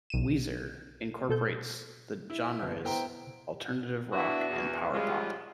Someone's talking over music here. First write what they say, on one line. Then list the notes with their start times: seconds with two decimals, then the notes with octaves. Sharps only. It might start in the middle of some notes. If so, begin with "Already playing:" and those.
"Weezer" incorporates the genres alternative rock and power pop.
0.10 B1 D#7 E7
1.29 B2 A4 G6
2.30 E4
2.62 G1
2.84 B3 E4 C5 G5 A#5
4.12 B3 D4 E4 F#4
4.49 E2
4.92 F3 G3 G#3 C#4 F4